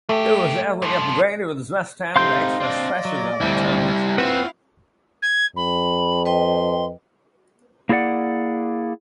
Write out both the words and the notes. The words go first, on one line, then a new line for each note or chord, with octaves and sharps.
It was heavily upgraded to withstand the extra stresses of the turbocharger.
G#2 A3 G4
G2 F3
C3 A3 C4 D#4 F5 C6 G6
C4 D4 D5 D#5
F#3
D2 G3 C4 E4
C4 E4 F4 B4 F5 F#5
G#6
F2 B5
B4 D#5 G5 C6
A#3 E4 G#4 A#4 D5 F#5